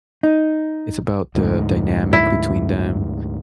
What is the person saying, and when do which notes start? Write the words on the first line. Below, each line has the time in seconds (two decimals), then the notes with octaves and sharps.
it's about the dynamic between them,
0.23 D#4
1.35 D2 G#2
2.13 E4